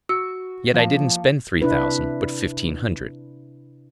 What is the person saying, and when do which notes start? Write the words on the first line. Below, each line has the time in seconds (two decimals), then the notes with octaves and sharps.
Yet I didn't spend three thousand, but fifteen hundred.
0.09 F#4 E6 C#7
0.74 F3 A#3 A5
1.62 C3 D4 E4 B4